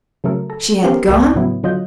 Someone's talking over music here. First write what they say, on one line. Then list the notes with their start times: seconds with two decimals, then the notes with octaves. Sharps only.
"She had gone?"
0.24 C#3 F#3 A3 A4 A#4
0.50 A4 A#5
0.84 B3 C#4 G4 A#4 C5 F5
1.07 G#1 C#2 G3 G#3 A#3
1.35 A2 C#3 F#3 B3 E4
1.63 D3 F#3 F4 D#5 F#6 G6